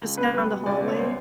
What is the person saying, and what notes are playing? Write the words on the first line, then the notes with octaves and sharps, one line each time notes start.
just down the hallway.
C#2
B3 B4
G3 B4
B2
C#2 D5
B3
C#5
G3 C5